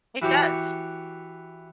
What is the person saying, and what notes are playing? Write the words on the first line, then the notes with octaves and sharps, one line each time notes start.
It does.
E3 F#4 G4 C#5